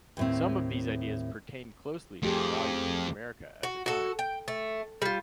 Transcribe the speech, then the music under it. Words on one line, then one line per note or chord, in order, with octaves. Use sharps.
Some of these ideas pertained closely to the values of America at the time.
D#2 A2 C4
F2 A3 G4 G#4
F#4
F#4 A4
G5
A3
G3 F4